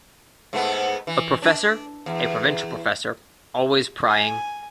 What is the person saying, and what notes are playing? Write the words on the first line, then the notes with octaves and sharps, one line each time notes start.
A professor, a provincial professor, always prying.
G#2 A3 B3
E3
D4
E2
G#5